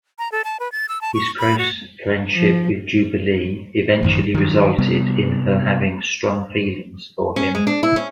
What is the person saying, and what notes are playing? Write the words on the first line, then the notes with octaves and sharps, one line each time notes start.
His close friendship with Jubilee eventually resulted in her having strong feelings for him.
A#5
A4
A5
B4
A6
E6
A5
C#6
B5
F#4
F3
A1 F#2 D#3
D#3 F#3
C3 G3 B3
C#4
G#3
D4
E4
C#4